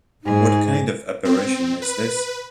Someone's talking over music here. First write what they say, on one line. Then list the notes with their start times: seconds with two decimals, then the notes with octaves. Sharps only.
What kind of apparition is this?
0.24 G#2 D#4 G#4
1.25 C4
1.82 B4